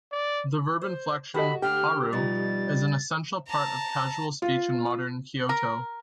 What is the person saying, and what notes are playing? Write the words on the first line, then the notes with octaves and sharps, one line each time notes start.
The verb inflection "-haru" is an essential part of casual speech in modern Kyoto.
D5
C5
F#4 G4 A4 D#5 B5
D2 D3 G4 G5 F6
B2 F3 G3 D#4 A6
A5 A#5
F4
A#4